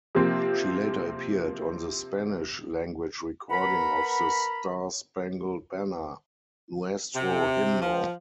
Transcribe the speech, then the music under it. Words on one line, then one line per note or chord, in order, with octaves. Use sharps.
She later appeared on the Spanish-language recording of the Star-Spangled Banner, "Nuestro Himno".
C3 F3 A#3 C4
B3 A#4 F#5 A#5 B5
C3
F3